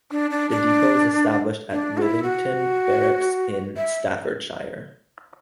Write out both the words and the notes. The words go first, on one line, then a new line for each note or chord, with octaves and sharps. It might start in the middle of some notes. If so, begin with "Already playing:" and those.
The depot was established at Whittington Barracks in Staffordshire.
D4
D4
D4
D4
F#4
E4
F#4
E5